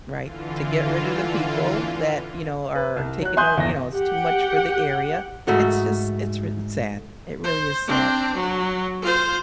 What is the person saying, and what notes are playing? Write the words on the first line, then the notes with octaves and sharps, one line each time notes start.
Right, to get rid of the people that, you know, are taking note you know, it's too much for the area. It's just it's r it's sad, it really is sad.
D3 E3 F4
B4
C2
F#3 F#6
E5 G#5 C6 D#6 F#6 G6
G1 E2 E5 A#6
G4 F#5 G5
G#2 A3 F#4
C5
C4 D4
F#3
F4 C5